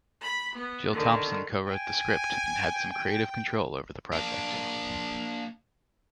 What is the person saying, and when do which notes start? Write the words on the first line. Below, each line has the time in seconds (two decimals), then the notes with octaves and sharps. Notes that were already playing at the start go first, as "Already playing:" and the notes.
Jill Thompson co-wrote the script, and had some creative control over the project.
0.21 B5
0.55 B3
0.92 D3 D#3
1.67 G5 G#5
4.13 A#3 D4